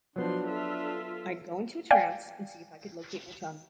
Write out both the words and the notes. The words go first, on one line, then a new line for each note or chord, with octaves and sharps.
I'd go into a trance and see if I could locate my chum.
F3 F#3 B3 D4 F#4 C6
F4 A4 E5
D5 F5 G5 G#5